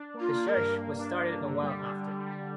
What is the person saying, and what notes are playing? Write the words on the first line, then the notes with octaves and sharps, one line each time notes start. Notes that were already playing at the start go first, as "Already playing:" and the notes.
The church was started a while after.
Already playing: D4
A#3
F4
A#3
A#4
G2
A#3
D4
A#3
D3
G3
D3
G3
G3